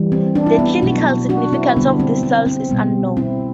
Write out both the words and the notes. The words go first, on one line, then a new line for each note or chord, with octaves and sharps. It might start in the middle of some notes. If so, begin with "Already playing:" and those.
The clinical significance of these cells is unknown.
Already playing: E3 G3
C4
D4
E4
B3 D4
B2 F#3 A3 D4 F#4
D4 F#4
C4 E4
D3 G3 B3 D4
C4
C4
C4
B2 G3 B3
C4 E4